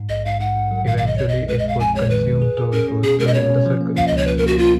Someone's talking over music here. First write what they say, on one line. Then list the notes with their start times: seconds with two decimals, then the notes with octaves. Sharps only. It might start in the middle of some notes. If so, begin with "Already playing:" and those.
Eventually it would consume those who stood in the circle.
Already playing: G#2
0.09 A#1 D#5
0.25 G#2 F5
0.40 G#2 F#5
0.56 G#2
0.71 F#3
0.87 D#3 F5
0.98 F5
1.02 A#1 D#5
1.17 F2 C#5
1.29 F2 D#5
1.48 G#3 B4
1.59 D#5
1.64 G#3 F5
1.80 F2 G#5
1.95 G#3 C#5
2.10 D#3 B4
2.26 F2
2.42 G#4
2.57 G#4
2.72 C#4 A#4
2.88 C#4
3.03 B2 G#4
3.19 G#3 A#4
3.27 D#5
3.34 B2 C#5
3.50 C#4
3.66 F3
3.81 A#3
3.96 F3 F5
4.08 C#2 D#5
4.18 C#5
4.27 F3 B4
4.38 A#4
4.42 A#3 F#4
4.58 A#3 F4